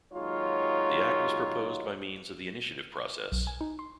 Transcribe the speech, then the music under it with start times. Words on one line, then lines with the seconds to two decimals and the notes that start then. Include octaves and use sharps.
The Act was proposed by means of the initiative process.
0.12 D#2 F#3 G#3 D#4 F4 C#5
3.32 B1
3.47 G#5
3.61 D#4
3.79 C6